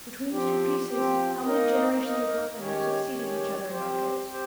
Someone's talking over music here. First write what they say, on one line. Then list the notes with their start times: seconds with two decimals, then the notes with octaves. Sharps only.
Between these two pieces, how many generations of workmen have succeeded each other in our pits!
0.30 F3 C4 G4
0.87 F3 C4 G4
1.43 A#3 D#4 A#4 D#5
2.00 A#3 D#4 A#4 D#5
2.56 D#3 G#3 C#4 G4 C#5
3.13 D#3 G#3 C#4 G4 C#5
3.69 C4 G4 C5
4.25 C4 G4 C5